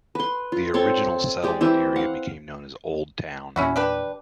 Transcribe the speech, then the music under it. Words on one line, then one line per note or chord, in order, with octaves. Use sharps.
The original settlement area became known as Old Town.
B4 C6
F4
C4 A4 C#5 C6
G#3 G4 D5
E3 C4 G4 E5
F5 F#5
E2 A#2 C#4 E4 F#4
D4 G4 B4